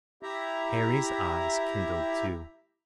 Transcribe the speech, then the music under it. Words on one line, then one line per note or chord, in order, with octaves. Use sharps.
Harry's eyes kindled, too.
E4 G4 E5 A#5